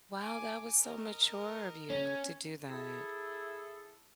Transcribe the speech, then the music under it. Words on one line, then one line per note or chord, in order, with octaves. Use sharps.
Wow, that was so mature of you to do that.
G#5 D6
A#4 D#5
C#4
E4 G#4 A4